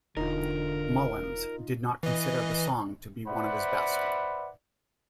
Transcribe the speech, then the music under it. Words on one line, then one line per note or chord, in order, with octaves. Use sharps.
Mullins did not consider the song to be one of his best.
E1 D3 D#4 F4 A#4
E3 D#5
B4 C5 D5 E5 F#5 B5